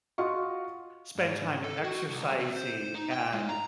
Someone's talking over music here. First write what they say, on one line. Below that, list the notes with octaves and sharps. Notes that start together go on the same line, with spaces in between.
spend time exercising and,
F4 F#4 D#5 F5 C#6
G#2
A4
F#4
C2
C4
C5
D#4
G5
G#3
A#5